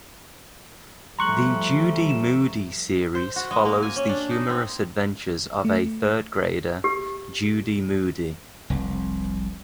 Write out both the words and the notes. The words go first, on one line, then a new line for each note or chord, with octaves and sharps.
The Judy Moody series follows the humorous adventures of a third-grader, Judy Moody.
F3 G3 A3 A#5 C6 C#6 F#6 F#7
E7
C5
F#4
G#3
A#3
G#5
C#4
D4
D#4
C4
A3
G4
F1 C2